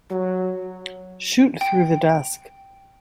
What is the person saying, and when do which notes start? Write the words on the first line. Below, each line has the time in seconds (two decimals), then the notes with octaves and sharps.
Shoot through the desk.
0.11 F#3
1.61 G5